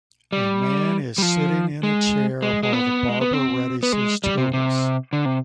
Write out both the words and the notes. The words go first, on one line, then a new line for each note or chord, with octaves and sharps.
A man is sitting in a chair while the barber readies his tools.
G3
G3
F3
G#3
G#3
G#3
B3
G#3
B3
C4
B3
G#3
G3
C3
C3
D3
C3